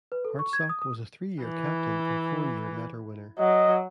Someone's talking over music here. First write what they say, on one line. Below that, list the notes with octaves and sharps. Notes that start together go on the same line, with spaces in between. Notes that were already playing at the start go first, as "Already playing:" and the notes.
Hartsock was a three-year captain and four-year letter winner.
B4
A4
C#6
G#6
D#6
D#6
E3
F#3 D#5